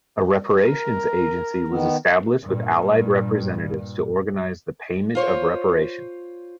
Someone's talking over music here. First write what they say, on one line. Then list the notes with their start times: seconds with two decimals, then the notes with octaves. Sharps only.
A Reparations Agency was established with Allied representatives to organize the payment of reparations.
0.65 A#4
1.68 D#3 B3
2.43 G2 A#2
5.15 F4 C5 C#5